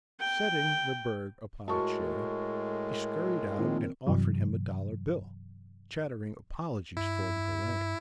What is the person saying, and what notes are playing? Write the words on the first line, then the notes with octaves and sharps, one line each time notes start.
Setting the berg upon a chair, he scurried out, and offered him a dollar bill, chattering apologies for the delay.
G5
A2 G#3 F#4 A#4 A5 C#6
A#2 D#3 F3 C4
G2 C3 E3 F#3
G2 E4